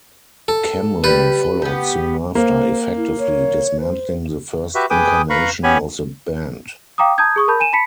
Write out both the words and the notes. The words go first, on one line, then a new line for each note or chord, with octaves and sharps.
Kemling followed soon after, effectively dismantling the first incarnation of the band.
A4
G3 B4
B3 G4
A#3 C5
E4
C#5
C5
F#4 G4 B4 E5
G#4 B4 G5 D6 D#6
B4 F5 A#5 B5 C#6
B3 C#4 G4 C#5 G#5 B5
F5 G5 A#5 D6 D#6
A5 A#5 D#6 G6 G#6
G#4 C#6 D#6
A#4 A5 B5 G6
G#5 D#7 E7
A5 B5 B6 C#7